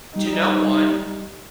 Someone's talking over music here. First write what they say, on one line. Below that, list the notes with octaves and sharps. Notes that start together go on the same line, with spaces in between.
to no one
G3 D#4